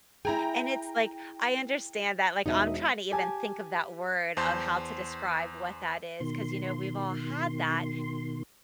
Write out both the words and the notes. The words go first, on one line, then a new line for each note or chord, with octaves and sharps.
And it's like, I understand that, like, I'm trying to even think of that word of how to describe what that is, 'cause, you know, we've all had that,
E4 G#4 G5 A#5
E1 D#4 D#5 E5
G4 G#5 A5
E2 C5 A5 C6 G6
B2 D#3 C6